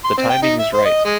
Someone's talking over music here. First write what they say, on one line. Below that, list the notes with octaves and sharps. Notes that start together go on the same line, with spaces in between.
The timing is right.
C6
C4
G5
D#4
E5
C5
D#5
G#3